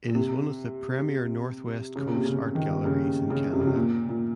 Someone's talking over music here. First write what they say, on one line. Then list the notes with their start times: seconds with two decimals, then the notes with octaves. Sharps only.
It is one of the premier Northwest Coast art galleries in Canada.
0.08 A#2
0.15 C3
1.96 C#3
2.07 A#2
2.16 C3
2.25 C#3
2.55 D#3
2.85 C#3
3.30 C#3
3.53 C3
3.60 C#3
3.67 C3
3.75 A#2
4.09 A#2